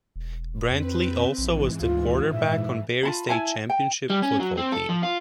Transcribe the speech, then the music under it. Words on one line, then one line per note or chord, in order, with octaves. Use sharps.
Brantley also was the quarterback on Berry state championship football team.
E1
F2 C4 B4
A#1 G#2 E3
D2 F4
A#2 E5
F4 A5 B5
E4 E5 G#5 A5
G5
G3
C#4
F#3
C4
A4
F3
F4